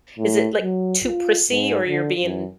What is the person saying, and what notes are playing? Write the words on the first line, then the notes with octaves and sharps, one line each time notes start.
is it, like, too prissy or you're being
A2
F#3
F4
G#2
D3
F#2